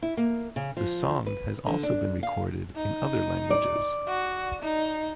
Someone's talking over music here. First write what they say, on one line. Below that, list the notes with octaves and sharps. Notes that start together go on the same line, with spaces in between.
The song has also been recorded in other languages.
E4
A#3
C#3
F3
B4
D3
D4
F5
D#4
D5
F#4
D#4